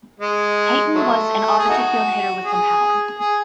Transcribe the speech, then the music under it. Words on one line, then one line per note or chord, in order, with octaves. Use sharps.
Payton was an opposite-field hitter with some power.
G#3
F#3 A3
G#4
D#4 F#4
G#4
G#4